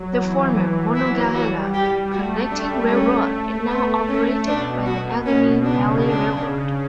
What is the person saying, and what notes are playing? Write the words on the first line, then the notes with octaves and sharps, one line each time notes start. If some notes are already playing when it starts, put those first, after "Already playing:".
The former Monongahela Connecting Railroad is now operated by the Allegheny Valley Railroad.
Already playing: F#3
E3
F#3 E4
G3 F#4
G4
A3 F#4
G3 D4
A3 C#4
A3 B3
C#4
B2 D4
B2 F#4
B2 C#4
C#3 D4
D4
C#3